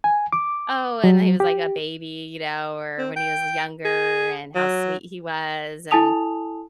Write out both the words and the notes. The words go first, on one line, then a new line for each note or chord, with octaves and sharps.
oh, and when he was, like, a baby, you know, or when he was younger and how sweet he was, and
G#5
D6
F#3
G4
C4
G5
G#4
F#3
E4 A4 G#5 A5 D#6 F7